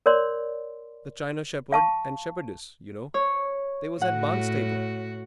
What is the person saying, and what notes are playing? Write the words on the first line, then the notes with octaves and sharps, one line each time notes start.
"The china shepherd and shepherdess, you know; they was at Barnstaple."
A#4 C#5 D5 C6
F5 A5 C#6
C#5
A2 F#4 F#5